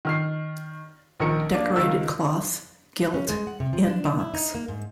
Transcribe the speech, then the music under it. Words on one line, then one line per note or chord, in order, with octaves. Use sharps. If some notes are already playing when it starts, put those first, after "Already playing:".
Decorated cloth, gilt, in box.
D#3 F6 C7
A#1 D#3 A#4 C#7
A#3 D4
C#2 D#3 F4 A#4 E6
C#4
G#3
F#5
C3
F3
D4
E4
D#4
A#3
G#2